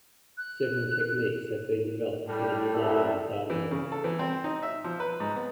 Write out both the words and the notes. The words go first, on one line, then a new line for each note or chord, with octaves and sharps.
Several techniques have been developed for the design of data models.
F#6
A2 G3
C2 G3 A4 E5
E3
C#3
A4
E3
C4
D#4
E5
F3
B4
G#2
B3